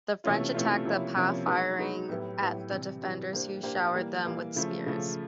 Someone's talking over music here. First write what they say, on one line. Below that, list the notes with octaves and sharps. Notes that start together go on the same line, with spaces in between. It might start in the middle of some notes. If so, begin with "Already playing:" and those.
The French attacked the pa firing at the defenders, who showered them with spears.
C3 E3 A3 C#4 F4
C3 E3 A3 C#4 F4
C3 F3 A#3 C#4 E4
C3 F3 A#3 C#4 E4
G#3 B3 D#4 F#4 B4
G#3 B3 D#4 F#4 B4
A2 F#3 B3 E4 G4
A2 F#3 B3 E4 G4
C3 E3 G3
C3 E3 G3
A#3 D4 G4 C5
A#3 D4 G4 C5
E3 G3 A#3
E3 G3 A#3
C#3 F3 A3
C#3 F3 A3